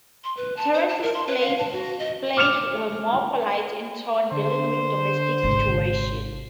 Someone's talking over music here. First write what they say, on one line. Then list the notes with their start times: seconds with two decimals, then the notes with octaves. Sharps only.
Terence's plays were more polite in tone, dealing with domestic situations.
0.24 C6
0.37 B4
0.57 A5
0.74 C5
0.89 A5
1.03 A#4
1.14 C6
1.27 B4
1.41 F5
1.58 A5
1.73 F#4
1.99 D#5
2.37 D6 F6 C#7 E7 F7
4.31 D3 C5
5.43 G#1 C3